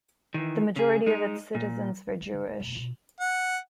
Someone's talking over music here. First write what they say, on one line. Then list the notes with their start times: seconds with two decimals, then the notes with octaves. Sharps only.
The majority of its citizens were Jewish.
0.34 D#3 E3
0.76 C#3 G#4
1.06 G#3 D#4
1.55 A#2
2.07 A#3
2.21 G#3 A3
2.33 D3 D#3
2.47 C#2
2.60 F1 B1
2.75 B2 F4
3.20 F#5